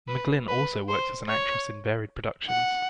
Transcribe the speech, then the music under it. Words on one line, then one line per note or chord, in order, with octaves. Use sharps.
McGlynn also works as an actress in varied productions.
B4
B4
C5
C#5
F#5